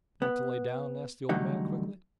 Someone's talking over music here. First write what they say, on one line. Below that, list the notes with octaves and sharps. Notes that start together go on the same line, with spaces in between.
"Want to lay down?" asked the old man quickly.
B3
E2 D3 F#3 G3 A3 D#4